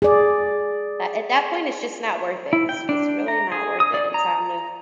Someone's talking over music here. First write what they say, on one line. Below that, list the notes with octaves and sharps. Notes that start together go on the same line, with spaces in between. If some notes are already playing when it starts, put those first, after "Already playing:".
a at that point, it's just not worth it, it's it's really not worth it in time to
G#4 D5
E4
G5
D4
A#5
G#4
D#6
D5
A#5